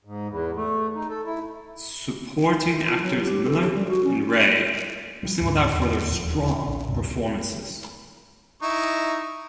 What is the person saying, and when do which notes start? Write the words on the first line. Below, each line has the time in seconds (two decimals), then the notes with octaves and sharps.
Supporting actors Miller and Rey were singled out for their strong performances.
0.05 G#2
0.28 E2
0.56 A3
0.95 D#4
1.10 A4
1.25 E4
2.88 F4
3.02 F#3
3.23 G4
3.46 A4
3.62 G4
3.75 G3
3.88 F#4
4.04 C#4
5.23 F3 G3 G#3
5.41 D2 G#2 D3
5.73 E2
6.10 D#1 F3
6.67 A#1
6.89 D2 G2 C3
8.62 D#4 E4 C#6